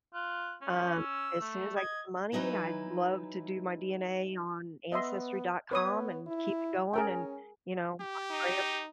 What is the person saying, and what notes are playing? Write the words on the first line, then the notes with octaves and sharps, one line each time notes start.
Um, as soon as I get the money, I'd love to do my DNA on ancestry.com and keep it going and, you know, I pray every
F4 F#6
C#4 C#5
E6
A3
D#5 G#6
E3 F#3 D#4 E4 B4
B3 D#5 E5 C6
B3 B4 C#5 D#6
E4
C#4 G#4 A#4 G5
G4
D#4